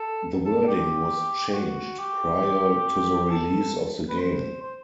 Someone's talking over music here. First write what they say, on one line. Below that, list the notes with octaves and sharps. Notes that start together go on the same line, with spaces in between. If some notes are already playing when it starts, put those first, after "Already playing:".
The wording was changed prior to the release of the game.
Already playing: A4
A4
G4
G4
F#4
G4
A4
B4
C5
C5